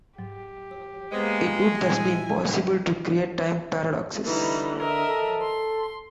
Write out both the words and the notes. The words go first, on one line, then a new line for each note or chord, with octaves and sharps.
It would thus be impossible to create time paradoxes.
G#2 F#3 G4
G#3 A#3 B3 C5
A#2 F#3 G3 E4 G#5
D3 E3 G3 D#4
A#4 D#5 E5
A4
C6